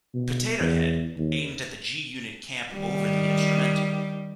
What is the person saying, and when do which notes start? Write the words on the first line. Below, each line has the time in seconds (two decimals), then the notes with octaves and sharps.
Potato Head, aimed at the G-Unit camp over the instrumental.
0.14 B2
0.60 E2
1.17 D#2
2.74 D#3 G3